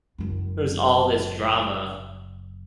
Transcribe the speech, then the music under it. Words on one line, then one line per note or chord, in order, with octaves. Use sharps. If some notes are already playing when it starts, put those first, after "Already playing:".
"There's all this drama."
F#1 F#2